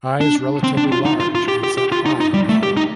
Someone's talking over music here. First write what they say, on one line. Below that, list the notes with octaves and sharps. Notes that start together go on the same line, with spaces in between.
Eyes relatively large and set high on the head.
D4
C4
D4
F4
D#4
F4
F4
G4
G4
G4
F4
D#4
D#4
G3
A3
G4
D#4